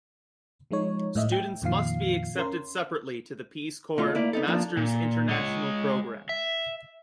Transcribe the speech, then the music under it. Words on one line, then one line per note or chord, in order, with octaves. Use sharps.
Students must be accepted separately to the Peace Corps' Masters' International Program.
F3 G#3 D#4 C#5
A2 A3 D#5 E5
G5
F2 A#2 D#3 F3 F5 C7
C#4 A#4 C6
B2 A3 F4
A#3 E4 D5
B3 D#4 A4
F3 A#3 D4 F4
A#2
G#3 C#5
E5